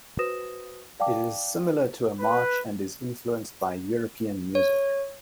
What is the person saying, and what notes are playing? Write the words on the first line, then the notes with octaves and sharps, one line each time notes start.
It is similar to a march and is influenced by European music.
F#4 B4 C5 D#6 A#6 E7
D5 F5 G5 A5 D6
B4
C#5